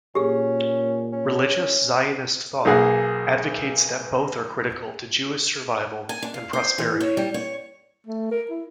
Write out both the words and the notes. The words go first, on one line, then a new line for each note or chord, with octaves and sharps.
Religious Zionist thought advocates that both are critical to Jewish survival and prosperity.
A#2 C#4 G4 G#4
C#4
B1 A#3 G#4 F#5
G#5
D4
F5
C5
E3
C#5
G3
C#5
A3
A#4
E4